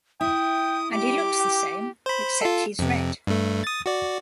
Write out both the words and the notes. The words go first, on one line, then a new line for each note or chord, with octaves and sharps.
And he looks the same, except he's red.
E4 G5 D#6
G3 G4 D6
G5
C5 B5
F4 A4
F2 C3
G2 A3
D#6 A6
F#4 D5